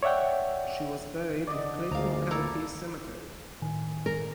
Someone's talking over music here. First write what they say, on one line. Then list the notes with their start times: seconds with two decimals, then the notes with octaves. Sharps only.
She was buried in Clayton County Cemetery.
0.03 C#5 D5 E5 F#5 G5
1.47 D3 D5 D#5
1.91 G#1 D2 F3 G#3 F5 A#5
2.31 A#2 E4 A4 A#5
3.61 A2 D#3 G#5
4.06 A#4